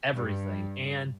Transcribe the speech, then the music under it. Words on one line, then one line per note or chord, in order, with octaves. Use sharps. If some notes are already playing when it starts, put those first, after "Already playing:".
everything, and
G2